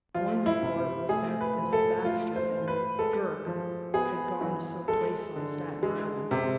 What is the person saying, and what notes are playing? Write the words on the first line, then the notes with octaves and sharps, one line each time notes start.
One report was that this Baxter and Girk had gone to some place on Staten Island.
F3 F4
E4
C3
A3 G#4
B4
F3
A4
A3 F4
C5
E3
B4
G#3 A4
F3
B3 G#4
E3
G#3 A4
D3
G#3
C3